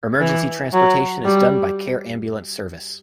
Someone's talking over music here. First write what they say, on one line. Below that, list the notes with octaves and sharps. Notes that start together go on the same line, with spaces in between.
Emergency transportation is done by Care Ambulance Service.
E3
F#3
G3